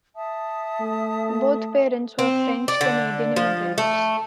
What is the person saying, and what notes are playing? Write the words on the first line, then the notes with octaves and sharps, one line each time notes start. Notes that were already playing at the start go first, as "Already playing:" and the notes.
Both parents were French-Canadian immigrants.
E5 A5 D#6
A3
C4
D5
D3
F3
A3